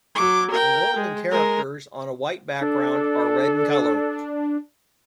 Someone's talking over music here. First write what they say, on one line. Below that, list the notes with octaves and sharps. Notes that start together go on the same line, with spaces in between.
The words and characters, on a white background, are red in colour.
F#3 D6
A#4 G5
G#3
G#3 A#4
D4 A4